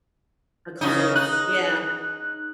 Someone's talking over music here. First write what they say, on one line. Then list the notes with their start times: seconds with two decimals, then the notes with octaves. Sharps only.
A comedy. Yeah.
0.81 C#3 D#4
1.16 D#4 F#6